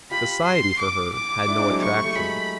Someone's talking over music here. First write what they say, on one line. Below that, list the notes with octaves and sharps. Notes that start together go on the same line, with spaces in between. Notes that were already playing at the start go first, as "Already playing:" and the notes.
Society for her had no attractions.
F4 G4 B5
C6
D6
D6
D4 E4
C4 D4
F#3 G#3
G3 A3 C#6
A3
F#3 G#3 B5